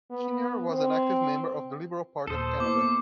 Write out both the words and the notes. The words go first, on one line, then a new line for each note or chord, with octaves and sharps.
Kinnear was an active member of the Liberal Party of Canada.
B3
C4
D#2 A#2 A4 C5 D#6
A#3 B3 E4 D6